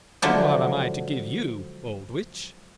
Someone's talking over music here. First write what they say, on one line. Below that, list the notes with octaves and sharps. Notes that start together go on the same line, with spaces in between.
But what am I to give you, old witch?
D3 F3 F#3 G#3 D4 E4